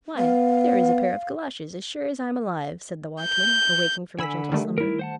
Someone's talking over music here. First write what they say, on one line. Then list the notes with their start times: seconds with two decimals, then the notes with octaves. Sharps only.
"Why, there is a pair of galoshes, as sure as I'm alive!" said the watchman, awaking from a gentle slumber.
0.18 B3 F5
3.22 G6
4.19 D3 G#5 B5 E6 B6
4.52 D#3 G3 A3
4.78 E4 A#4
4.99 C5 F#5 A5